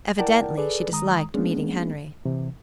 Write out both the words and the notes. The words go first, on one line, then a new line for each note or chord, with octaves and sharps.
Evidently she disliked meeting Henry.
E4 A#4 D5 F#5 G5 A5
G#4 A4 B4 D5
D#3 G#3 A#5 D#6
G#3 A#3 B3 C#4 D4 G#4
C3 E3